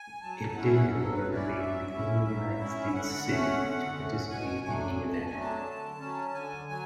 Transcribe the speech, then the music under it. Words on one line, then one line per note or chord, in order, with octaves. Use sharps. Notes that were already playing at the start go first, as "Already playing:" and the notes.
It did, however, remain the only United States city to participate in the event.
Already playing: G#5
F#3 A5
C#4 E4 F#5
E5
F#5
F#3 A4
B4
C#4 E4
D5
F#3 E5
C#4 E4
F#3
E4
C#4
E5
D3 F#5
A3 C#4
D3
A3 C#4
B2 G#5
F#3 A3 D4 G#5
B2
A5
G#5
F#3 A3 D4
A5
D3
F#3 C#4
D3 G#5
F#3 G#5